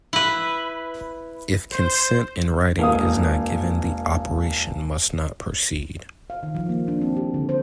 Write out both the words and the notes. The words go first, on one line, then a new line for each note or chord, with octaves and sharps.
If consent in writing is not given the operation must not proceed.
E4 B4
C5
E1 A#3 F5 D#6
F5
D#3
F3
A#3
D4
C4
G4
D3
C5